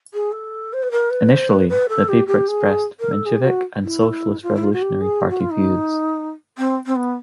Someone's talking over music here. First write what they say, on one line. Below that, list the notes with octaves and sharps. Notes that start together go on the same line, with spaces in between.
Initially, the paper expressed Menshevik and Socialist-Revolutionary Party views.
G#4
A4
C5
B4
A#4
B4
C5
B4
B4
A4
G4
G4
G#4
A#4
A4
G#4
G4
F#4
E4
F4
E4
F4
F#4
G4
G#4
G4
F#4
F4
D#4
C4
C4
B3